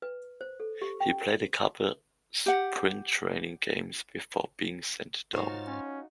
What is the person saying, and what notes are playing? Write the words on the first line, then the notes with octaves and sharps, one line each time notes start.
He played a couple spring training games before being sent down.
B4
C5
A4
G4
G5
A#4
G4 F#5
G#2 D#4 F4 F#4 C5 C#5 F6 A6
C#4